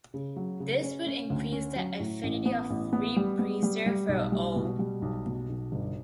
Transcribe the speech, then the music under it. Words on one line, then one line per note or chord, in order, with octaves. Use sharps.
This would increase the affinity of repressor for O.
C#3
F#3
C#3
C#4
C#4
D2
C#4
F#3
A2
A1
B3
A1
B3
G3
B3
G3
G3
B1
G3
B2
G3
B1
B2
B1
G1